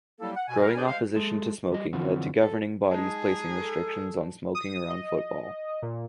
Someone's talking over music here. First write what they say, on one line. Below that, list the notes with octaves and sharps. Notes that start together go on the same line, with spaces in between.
Growing opposition to smoking led to governing bodies placing restrictions on smoking around football.
F#3 G3 A#3 E4 G4 A4
F#5
B2 G#5
G3 A#4
D4 G#4 B4 C5 D5 G#5
G#3 C5 F5
G#3 A4
G3 D#5
F#2 D3 E3 C4 F4 F#4
A4
G#3 D#4 G#4 A5
A4
D#6
D#5
A#2